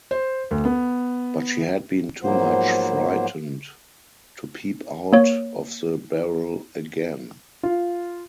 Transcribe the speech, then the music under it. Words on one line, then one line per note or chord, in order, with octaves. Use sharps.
But she had been too much frightened to peep out of the barrel again.
C5
D2
B3
G#2 F3 F#3 A#3 B3 C5
A#3 C#5
F4